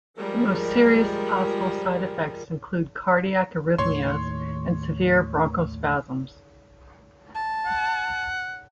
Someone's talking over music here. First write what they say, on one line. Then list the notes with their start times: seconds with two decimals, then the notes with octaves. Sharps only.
The most serious possible side effects include cardiac arrhythmias and severe bronchospasms.
0.19 F3 G3 G#3 A#4
3.78 D#2 A2 D#3 C#5 C6
7.35 A5
7.66 F#5